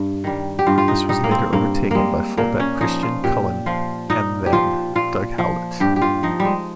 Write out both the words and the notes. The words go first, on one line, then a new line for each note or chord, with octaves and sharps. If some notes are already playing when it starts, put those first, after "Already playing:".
This was later overtaken by fullback Christian Cullen and then Doug Howlett.
Already playing: G2
D#3 G3
G4
G2 F4
F4
D#4
G3 D#4
A#3
C4
G2 A#3
G3 G#3 A#3
A#2 A#3
C#4
F3 D#4
F4
A#2 G4
F3 F4
A#2 D#4
G4
F3 F4
A#2 F4
F3
G2 G4
G4
F4
F3 D#4
G3
G#3